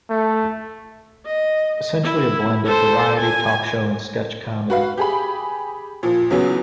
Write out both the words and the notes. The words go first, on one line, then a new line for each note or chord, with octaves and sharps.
Essentially a blend of variety, talk show, and sketch comedy.
A3
D#5
E4
A4 C5
G#5
F#4 B4 F5
G4 G#4 B5
A#2 F3
E2 C#3 F#3 B3